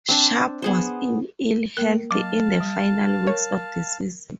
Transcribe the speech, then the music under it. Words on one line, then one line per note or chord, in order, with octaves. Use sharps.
Sharpe was in ill health in the final weeks of the season.
C4 D4 A5
B3 G#4 C5
A#3 A#4 F#6
F#3 F5 A5 D6
G3
A#4 C#5